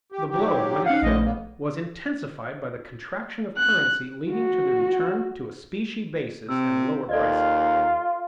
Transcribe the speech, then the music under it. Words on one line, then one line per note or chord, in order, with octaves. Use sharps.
The blow, when it fell, was intensified by the contraction of currency leading to the return to a specie basis and lower prices.
G4
G#2 F#3 G4
C#4 D#4 F5 F#5
A#1 D3 A3 D#5
A#3 B3
F#6
F#4
C3 E6
D#2 F4 A4 D5 D#5